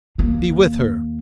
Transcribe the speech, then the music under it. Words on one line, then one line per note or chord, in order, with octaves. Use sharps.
Be with her!
D#2 A#3